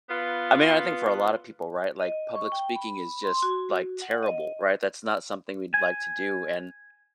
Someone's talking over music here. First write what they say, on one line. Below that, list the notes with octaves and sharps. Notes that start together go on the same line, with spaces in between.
I mean, I think for a lot of people right like public speaking is just like terrible right? That's not something we'd like to do and
B3 F4 B4
D#5
C#6
G5
B5
C6
F#4
F#5
D#5
G#5